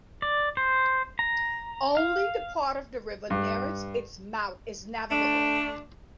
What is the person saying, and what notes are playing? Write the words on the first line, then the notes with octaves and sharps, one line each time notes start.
Only the part of the river nearest its mouth is navigable.
D5
C5
A#5
F5
G2
A3 D4